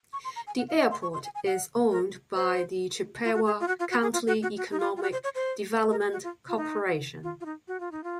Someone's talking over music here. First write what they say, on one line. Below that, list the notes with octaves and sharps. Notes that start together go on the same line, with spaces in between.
The airport is owned by the Chippewa County Economic Development Corporation.
C#6
C6
A#5
G#5
F#5
F5
D#5
C6
C#6
C6
G#5
G#5
F#5
A#4
C5
F4
F#4
G#4
F4
F#4
F4
F#4
G#4
F4
F#4
F#4
F#4
D#4
F4
F4
F#4
C5
C#5
C5
A#4
G#4
F#4
F4
F4
D#4
F4
F4
D#4
F#4
F4
D#4
F4